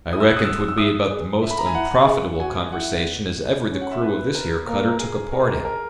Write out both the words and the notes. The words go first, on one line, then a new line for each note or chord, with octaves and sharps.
I reckon 'twould be about the most onprofitable conwersation as ever the crew of this here cutter took a part in.
E4 D#6
E6
F#6
D#6
E6
E6
E4 D#6
G#4
E5
B5
A#5
G#5
E4 F#5
G#4
F#4 G#5
E4 F#5
C#4
F#5
E5
B4
A#4
A#3 A#4
A#4
G#4
A#4
G#4
A#4
A#4